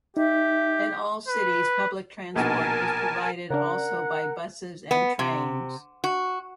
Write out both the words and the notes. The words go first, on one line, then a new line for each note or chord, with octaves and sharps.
In all cities public transport is provided also by buses and trains.
D#4 G4 E5
B4
A#1 B2 D#4 A#4 G#5 A5
C#3 D4 A#4 F#5
B3
C3
F#4